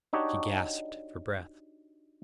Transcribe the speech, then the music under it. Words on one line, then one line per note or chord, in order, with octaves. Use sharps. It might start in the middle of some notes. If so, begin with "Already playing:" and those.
She gasped for breath.
D4 D#4 F#4 G4 C#5